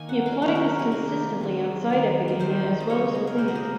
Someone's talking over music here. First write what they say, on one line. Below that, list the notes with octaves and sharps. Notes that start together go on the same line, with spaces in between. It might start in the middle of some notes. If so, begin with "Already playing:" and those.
He applied this consistently outside academia as well as within it.
Already playing: D#3 A#3 D#5 G#5
F#5
F5
D#3 F#3 A#3 C#5
A#4
G#4
C3 D#3 A#3 A#4
D#3 G#3
D#3 G#3
A#4
D#3 G#3 C5
D#5
C#3 G#3 C#5
G#4
A#4
C3 F#3 A#3 C5
A#4
G#4